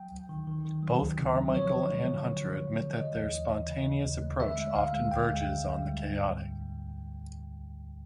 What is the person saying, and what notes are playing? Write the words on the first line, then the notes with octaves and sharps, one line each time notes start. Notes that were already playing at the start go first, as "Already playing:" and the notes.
Both Carmichael and Hunter admit that their spontaneous approach often verges on the chaotic.
Already playing: F#3 G5
D2
D#3
D#3
D#3
F#3
D2
C3
F#3
F3 C#5
D3
G#3
F3
G#3
D3
F3
G#3
E3 D#5
D#2
E3
E3
C#3
C#3
D#2
A3
D3 E5
G#3
D2 F5
G#3
D2 G5
G#3
D2
D2
G3
G#2